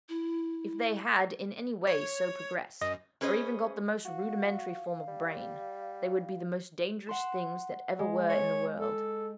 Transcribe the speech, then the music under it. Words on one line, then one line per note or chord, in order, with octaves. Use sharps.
If they had in any way so progressed, or even got the most rudimentary form of brain, they would be the most dangerous things that ever were in the world.
E4
C#5
F#2 D#5
C#4 G#4 B4 C5 D5 D#5
F#4 F5
G3
F#5 C6 E7
G#3
C#5
A4